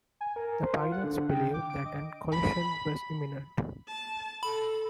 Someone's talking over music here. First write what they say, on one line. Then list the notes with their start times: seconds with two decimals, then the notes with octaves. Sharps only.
The pilots believed that a collision was imminent.
0.21 G#5
0.36 A#4
0.62 C5
0.74 F4
0.92 F#5
1.04 D3
1.30 G5
1.54 D6
1.70 D7
1.85 D#5
2.32 B5
3.87 A5
4.43 A4 B5